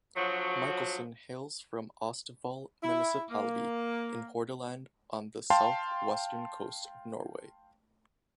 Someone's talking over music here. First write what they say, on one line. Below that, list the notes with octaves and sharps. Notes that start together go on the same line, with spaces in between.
Michelsen hails from Austevoll municipality in Hordaland on the south-western coast of Norway.
D3 F3 F#3
E4
A#3
F5 G5 A5 C6